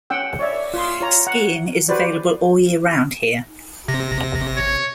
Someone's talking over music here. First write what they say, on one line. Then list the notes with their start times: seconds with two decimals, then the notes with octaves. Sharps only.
Skiing is available all year round here.
0.10 C#4 F#5 G5 E6
0.39 C#5 D5 E5
0.74 F4 C6
1.01 F4 C#5 A#5
1.27 F#5
1.89 F#4 G4 B4 C5 D5
3.88 C3 A#6
4.56 C#5